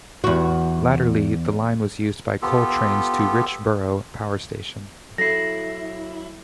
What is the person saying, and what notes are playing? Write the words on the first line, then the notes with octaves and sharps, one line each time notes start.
Latterly the line was used by coal trains to Richborough power station.
E2 F#4
B3 F4 G4 A4
F#3 E4 A4 A#6 C7